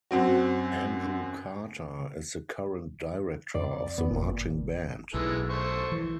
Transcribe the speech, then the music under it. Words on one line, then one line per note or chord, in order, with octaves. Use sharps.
Andrew Carter is the current director of the marching band.
F#2 C4 F#4
F2 D5
F2 B3
G1 A#2
B1 E3 G#3 A4
A3 C5 C#6
E3